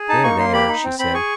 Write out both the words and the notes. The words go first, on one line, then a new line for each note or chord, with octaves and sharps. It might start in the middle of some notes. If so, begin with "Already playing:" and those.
"There, there," she said.
Already playing: G#4
D#4 A5
A#3 C#6
A#3 C6
G4 B5
D#4
C4
C4 B5
G#4 C#6